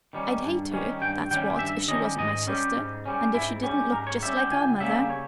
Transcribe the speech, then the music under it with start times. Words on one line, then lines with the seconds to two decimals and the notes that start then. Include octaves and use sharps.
I'd hate her, that's what, if she wasn't my sister, and if she didn't look just like our mother.
0.13 D#3 G3 C#4
0.43 G2
0.72 D#3 G3 C#4
1.01 G2 G5
1.31 D#3 G3 C#4 G5
1.59 G2 E5
1.88 D#3 G3 C#4 D#5
2.18 G#2 D#5
2.47 G3 C#4
2.76 G#2
3.06 G3 C#4
3.34 G#2 E4
3.63 C#4 G4
3.67 G3
3.92 G#2 A#4
4.07 C#5
4.22 G3 E5
4.26 C#4
4.37 G5
4.51 C#2 G#5
4.80 C#3 G3 A#3 C#4 E5
5.10 C#5